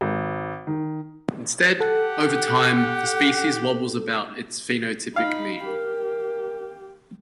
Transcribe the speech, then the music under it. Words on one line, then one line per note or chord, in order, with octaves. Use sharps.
Instead, over time, the species wobbles about its phenotypic mean.
G#1
D#3
G4 A4 F#5
D#4 F5 B5
G4 A#4